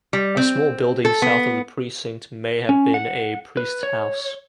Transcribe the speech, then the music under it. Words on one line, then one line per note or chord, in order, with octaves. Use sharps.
A small building south of the Precinct may have been a priest's house.
G3
C4
A4
B3
C#4
F#5
B4
C#5